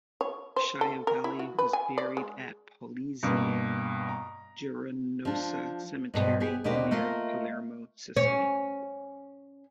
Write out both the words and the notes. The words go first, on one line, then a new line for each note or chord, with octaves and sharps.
Schiavelli was buried at Polizzi Generosa Cemetery, near Palermo, Sicily.
C#5
C5
A4
A#4
E4
F#4
B4
G#5
D5
G#3
G2 B2 A#3
A#5
F3 D4
G2 B2 A4 C5
B3 G4 G#4
D#2 B2 A#3 D4 G4 C5
A3 A#3 F4 D#5
C#4